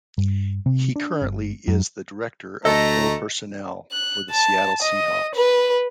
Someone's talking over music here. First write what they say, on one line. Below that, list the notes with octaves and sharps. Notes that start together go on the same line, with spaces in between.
He currently is the Director of Pro Personnel for the Seattle Seahawks.
G2
C3
D4
G1
F#2
D2 A3 A4 D#5 A#5
F#6
A5
D#5
B4